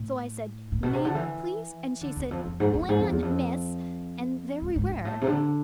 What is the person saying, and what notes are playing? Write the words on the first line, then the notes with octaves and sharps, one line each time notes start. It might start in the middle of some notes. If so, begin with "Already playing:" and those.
So I said, 'Name, please?' and she said, 'Lan, Miss,' and there we were.
Already playing: A2
A2
B2
C3
D3
E3
D3
E2
F2
F2
G#2
F2
G#2
F2
E2
F2
G#2
G#2
G#2
A2
C3
D3